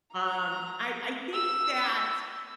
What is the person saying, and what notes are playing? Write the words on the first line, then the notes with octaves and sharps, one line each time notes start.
um, I I think that
A#5
E6